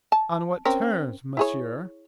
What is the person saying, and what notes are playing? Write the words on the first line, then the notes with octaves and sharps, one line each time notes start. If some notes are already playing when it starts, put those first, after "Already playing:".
"On what terms, monsieur?"
A5
C4 C#4 A#4
E4 G#4 C#5